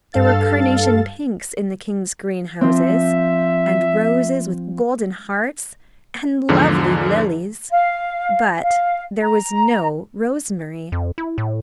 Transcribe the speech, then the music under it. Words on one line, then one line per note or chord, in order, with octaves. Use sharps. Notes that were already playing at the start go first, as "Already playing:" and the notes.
There were carnation pinks in the king's greenhouses, and roses with golden hearts, and lovely lilies; but there was no rosemary.
G2 A4 F5 A6
F3 C4 E5
E2 G#2 D3 F3
F5
F5
A#5
F2
E4
A2